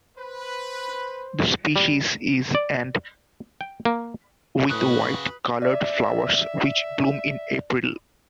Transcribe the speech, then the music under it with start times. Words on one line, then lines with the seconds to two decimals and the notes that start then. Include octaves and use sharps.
The species is and with white coloured flowers which bloom in April.
0.18 B4 C5
1.76 G3
2.55 D5
3.61 G5
3.85 A#3
4.70 A2 C#3 F#4 B4 D#6 F#6
5.62 D5 E5